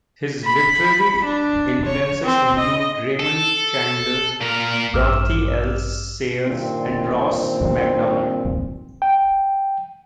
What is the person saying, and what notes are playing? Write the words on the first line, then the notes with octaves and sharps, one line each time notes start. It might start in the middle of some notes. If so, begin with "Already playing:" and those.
His literary influences include Raymond Chandler, Dorothy L. Sayers, and Ross Macdonald.
B5
D4
C#5
C4
D#5
A4
A#2 A#4
A1 G2 D6 E6 F6 E7
G2 A#2 D#3 C4
G5